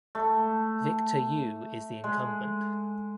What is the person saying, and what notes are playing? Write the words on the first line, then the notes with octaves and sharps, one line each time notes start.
Victor Yu is the incumbent.
A3
G#3